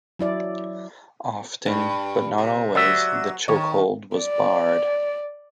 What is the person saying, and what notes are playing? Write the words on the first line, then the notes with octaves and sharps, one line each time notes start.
Often, but not always, the chokehold was barred.
F#3 E4 D5
G2
C3
F#3 D5 E5
D#3 C#5
D5